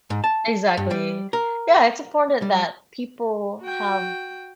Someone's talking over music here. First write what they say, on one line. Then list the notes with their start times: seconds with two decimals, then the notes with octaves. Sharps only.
Exactly, yeah, it's important that people have
0.10 G#2
0.24 A5
0.77 G2
0.91 G3
1.33 A#4
2.42 G3
3.61 F#4 G5